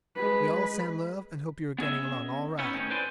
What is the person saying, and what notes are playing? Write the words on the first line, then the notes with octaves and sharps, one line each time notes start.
We all send love, and hope you are getting along all right.
G#3 B4
B3 C#4 G#4 C#5 D#5 E5
B3 C#4 D#4 E4
A2 D#3 C4 C#4
B4 C5 D5 G#5 C6